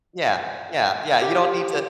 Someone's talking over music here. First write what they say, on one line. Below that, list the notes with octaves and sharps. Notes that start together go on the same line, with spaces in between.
Yeah. Yeah, yeah. You don't need to
G4